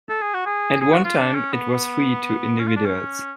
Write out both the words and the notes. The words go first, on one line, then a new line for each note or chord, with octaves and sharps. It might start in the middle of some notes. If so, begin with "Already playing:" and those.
At one time it was free to individuals.
A4
G#4
F#4
G#4
G#4
F#4
F4
D4
C#4
B3
C#4
F4
D4
C#4